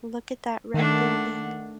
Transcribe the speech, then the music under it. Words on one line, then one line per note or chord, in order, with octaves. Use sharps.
Look at that red building.
D#3 A3 D4 F#5